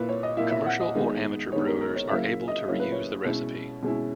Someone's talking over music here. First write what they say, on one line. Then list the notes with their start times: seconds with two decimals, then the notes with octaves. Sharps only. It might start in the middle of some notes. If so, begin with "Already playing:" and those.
Commercial or amateur brewers are able to reuse the recipe.
Already playing: A#2 A#3 E4 B4
0.09 C#5
0.23 D#5
0.37 A#2 A#3 E4 E5
0.51 E5
0.66 F#5
0.80 D#5
0.95 D#3 G#3 B3 D#4
1.52 D#3 G#3 B3 D#4 C#5
1.67 A#4
1.81 A#4
1.95 C#5
2.10 C#3 F#3 A#3 E4 E5
2.48 D#5
2.67 C#3 F#3 A#3 E4 C#5
2.80 B4
2.92 C#5
3.25 B2 G#3 C#4 E4
3.83 B2 G#3 C#4 E4